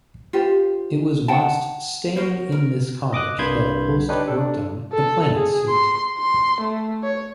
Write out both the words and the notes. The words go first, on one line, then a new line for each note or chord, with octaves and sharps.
It was whilst staying in this cottage that Holst worked on "The Planets" suite.
F4 G4 C5
F#5 G5 A5
F#4 A#4 C5 C#5
A#4
D#5 D6 D#6 F#6
C2 G2 B5 C6 G6 G#6
D4 D#4 G4 B4 C#5
D4 A4
A4
G#4
C6
C6
A3
C#5